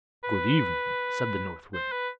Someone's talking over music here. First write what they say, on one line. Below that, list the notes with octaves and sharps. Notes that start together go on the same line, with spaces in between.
'Good evening!' said the North Wind.
B4
C5
B4